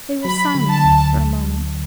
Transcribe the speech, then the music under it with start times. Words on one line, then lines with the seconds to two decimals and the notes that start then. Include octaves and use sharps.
They were silent for a moment.
0.24 F#3 B5
0.55 D3
0.70 A5
0.85 D2